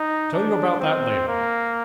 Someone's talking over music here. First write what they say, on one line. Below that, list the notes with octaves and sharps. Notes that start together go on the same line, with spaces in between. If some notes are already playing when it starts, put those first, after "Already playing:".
"Tell you about that later."
Already playing: D#4
D4
C4
A#3